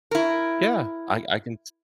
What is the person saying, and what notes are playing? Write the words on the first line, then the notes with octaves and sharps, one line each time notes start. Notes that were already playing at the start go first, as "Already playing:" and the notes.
Yeah, I I can
E4 A#4